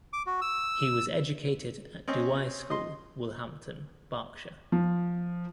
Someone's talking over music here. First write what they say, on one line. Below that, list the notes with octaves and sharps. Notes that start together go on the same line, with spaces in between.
He was educated at Douai School, Woolhampton, Berkshire.
D6
F#4
E6
C4 C#4 D#5
D#5 C6
F3